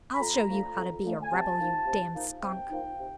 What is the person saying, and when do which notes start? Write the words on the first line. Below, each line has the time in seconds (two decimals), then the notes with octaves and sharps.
"I'll show you how to be a rebel, you damned skunk."
0.13 B5
0.19 F2 A#5
0.47 D3 F3 A3
0.76 F2
1.03 D3 F3 A3
1.22 G#5
1.31 C3 A5
1.59 F3 A#3 D#4
1.87 C3
2.15 F3 A#3 D#4
2.43 C3 G5
2.70 F3 A#3 D#4
2.98 C3